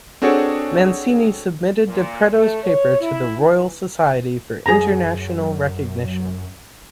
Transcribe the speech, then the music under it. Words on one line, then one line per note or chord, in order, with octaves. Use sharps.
Mancini submitted De Pretto's paper to the Royal Society for international recognition.
C4 D4 F#4 G#4 A4 C#5
A#2
A3
C#5
E4
E3
F#2 G#4 A#5